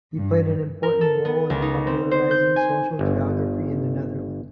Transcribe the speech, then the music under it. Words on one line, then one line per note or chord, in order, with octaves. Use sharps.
He played an important role in popularising social geography in the Netherlands.
G2
A#4
A4
B3
C#2
D#4
C4
C5
G6
G#5
G1